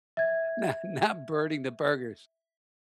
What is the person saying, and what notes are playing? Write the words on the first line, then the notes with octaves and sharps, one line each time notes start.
not not burning the burgers.
E5 G#6